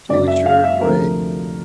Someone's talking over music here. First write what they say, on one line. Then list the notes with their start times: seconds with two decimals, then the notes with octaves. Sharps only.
Future, Drake.
0.09 F#2 C#3 F#3 D5
0.28 E5
0.46 F5
0.64 E5
0.81 D2 C3 F3 A3 A#4